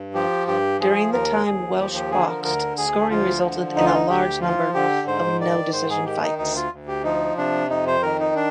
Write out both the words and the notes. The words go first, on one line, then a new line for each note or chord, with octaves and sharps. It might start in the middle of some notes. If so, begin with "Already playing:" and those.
During the time Welsh boxed, scoring resulted in a large number of no-decision fights.
Already playing: G2
F3 G4
G2 G4
F3 G#4
D#2 A#4
D#2 G#4
F3 G4
G4
D3 G#4
A#4
D2 A#4
D2 G#4
F3 F4
D3
D2 D#4
F4
D#4
D2 G4
F3 F4
D3 G4
G#2 C5
D#3 D5
G#2 C5
G#4
D#3 G4
D#4
D2 D#4
F4
D2
G4
F3 D#4
C3 D4
F2 D#4
C5
D#3 A#4
D#4
D4